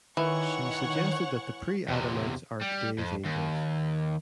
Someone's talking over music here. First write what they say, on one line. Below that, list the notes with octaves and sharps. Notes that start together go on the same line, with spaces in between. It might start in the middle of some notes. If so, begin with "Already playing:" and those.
She suggested that the pre-Adamites are today's angels.
D#3 E3 C#5 F#5 C#6
E2 C3
G3
F2
D#2